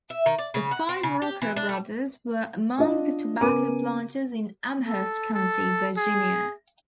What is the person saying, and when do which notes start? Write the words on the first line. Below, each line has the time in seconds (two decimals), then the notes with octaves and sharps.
The five Rucker brothers were among the tobacco planters in Amherst County, Virginia.
0.10 E5
0.26 D#3
0.38 D5
0.54 C#3
0.71 F#5
0.89 C4
1.03 C#3
1.22 G4
1.42 E3
1.57 D4
1.69 A3
2.78 D4 F4 D#5
3.41 C#3 B3 A#4 G#5 D6 D#7
4.88 A4
5.34 A4
5.97 G#4